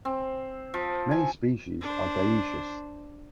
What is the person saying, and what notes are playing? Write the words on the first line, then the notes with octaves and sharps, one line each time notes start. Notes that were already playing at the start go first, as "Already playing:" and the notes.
Many species are dioecious.
C4
F3
G#5
D4 C5